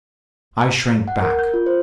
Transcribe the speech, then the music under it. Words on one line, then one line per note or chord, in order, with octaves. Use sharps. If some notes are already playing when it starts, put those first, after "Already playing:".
I shrank back.
F#5
A#4
G6
F4
C5